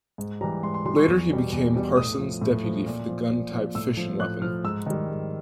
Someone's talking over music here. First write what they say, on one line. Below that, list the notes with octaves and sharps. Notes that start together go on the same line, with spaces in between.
Later he became Parsons' deputy for the gun-type fission weapon.
G#2
E3 G3 A#5
G#2 C6
C6
E3 G3 C6
C#6
E2
B2 G3
E2
B2 G3
A2 D#6
F3
A2
F3
A#2
F3
A#2
F3
A2 E6
F3
A2 F#6
F3 F6
G#2 E6
D#3 G3
G#2